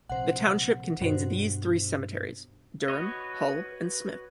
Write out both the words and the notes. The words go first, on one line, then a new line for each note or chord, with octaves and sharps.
The township contains these three cemeteries: Durham, Hull and Smith.
A#1 C3 C5 F#5
G2 B2 F#4 C5
F#4 B4 C#5 D#5